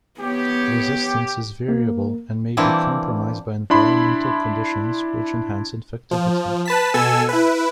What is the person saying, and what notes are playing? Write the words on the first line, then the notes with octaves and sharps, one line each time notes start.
Resistance is variable and may be compromised by environmental conditions which enhance infectivity.
B3 G4 C#5
A#3
E3 G3 A#3 C4 D4 E4
D4 E4 B5 C6
F3
B4 A5 B6
B2 A4 G#5 E6
E4 B4